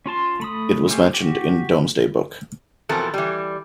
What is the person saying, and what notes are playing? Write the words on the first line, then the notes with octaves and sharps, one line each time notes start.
It was mentioned in Domesday Book.
C#4 F4 A5 C6
A3 B5 D#6
G#3 A3 C#4 G4 G#4
F#4 G4
B2 E3 F3 C4 A4 A#4
E3 G3